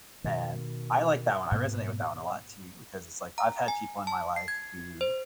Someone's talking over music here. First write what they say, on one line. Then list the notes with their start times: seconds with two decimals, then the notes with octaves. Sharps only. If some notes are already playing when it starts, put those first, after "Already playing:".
And, I like that one. I resonate with that one a lot too, because it's like, I've had people in my life who
0.24 B2 D#3
1.51 G#2 B2 A#3
3.38 A#5
3.68 G#5
4.07 A5
4.36 C7
4.48 G#6
5.01 C5